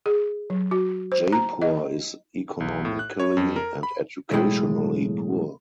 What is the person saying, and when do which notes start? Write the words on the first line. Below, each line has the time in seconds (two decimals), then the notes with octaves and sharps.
Jaipur is economically and educationally poor.
0.06 G#4
0.50 F#3
0.71 F#4
1.12 C5
1.33 A#5
1.62 D#5
2.60 B1
2.85 A2
2.99 F#6
3.19 C#5
3.37 F2
3.56 A#4
3.83 B5
4.31 B1 E2 A2 G#3 E4 G5